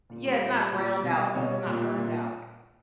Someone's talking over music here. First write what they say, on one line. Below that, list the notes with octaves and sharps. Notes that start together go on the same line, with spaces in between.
Yeah, it's not browned out though, it's not burnt out.
A#2
G3
A#2
G3
A#2
G3
B2
G3
D#5
B2 C#5
G3
A#2
G3
A#2